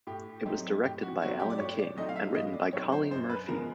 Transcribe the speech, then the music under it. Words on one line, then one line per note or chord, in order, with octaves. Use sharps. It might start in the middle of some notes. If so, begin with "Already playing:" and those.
It was directed by Allan King, and written by Colleen Murphy.
A2 G4
F#3 A3 C4 D#4 G4
A2 G4
F#4
F#3 A3 C4 D#4 F#4
G4
D5
A2 C#5
D5
F#3 A3 C4 D#4 D#5
F5
E5
A2 D#5
D5
F#3 A3 C4 D#4 C#5
C5
F#2 C5
B4
C#3 F3 G#3 B3 A#4